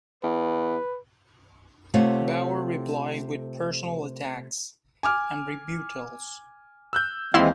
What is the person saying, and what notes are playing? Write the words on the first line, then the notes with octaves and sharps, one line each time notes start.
Bower replied with personal attacks and rebuttals.
E2 B4
C3 A3 F4 C#5 F#5
G#5 D6 F6
E6 F#6 G6
D#2 E3 G#3 C4 E4 F5 C6